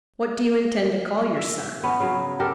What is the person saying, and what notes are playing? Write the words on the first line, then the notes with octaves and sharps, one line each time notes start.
"What do you intend to call your son?"
E5
B3 C#4
C#3 F#3
G4 A4 A#4